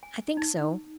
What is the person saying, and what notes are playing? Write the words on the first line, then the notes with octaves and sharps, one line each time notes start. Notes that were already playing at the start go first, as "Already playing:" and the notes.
"I think so."
G#5
D#4